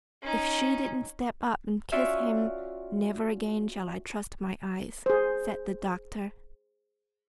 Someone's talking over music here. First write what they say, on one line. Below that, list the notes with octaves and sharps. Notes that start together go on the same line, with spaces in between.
"If she didn't step up and kiss him, never again shall I trust my eyes!" said the doctor.
C#4 D#4
C#4 F4 F#4 D5 E5 F5
G#4 C5